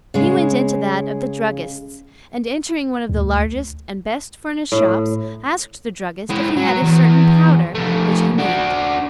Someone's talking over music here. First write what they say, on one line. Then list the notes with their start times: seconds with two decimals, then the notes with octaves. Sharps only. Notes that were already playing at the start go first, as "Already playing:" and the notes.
He went into that of the druggists; and entering one of the largest and best furnished shops, asked the druggist if he had a certain powder, which he named.
0.14 C#3 G#3
3.09 D2
4.72 A2
6.30 G#3 E4
6.56 F#3
6.82 E2
7.75 F3 A3
8.39 D4 F#4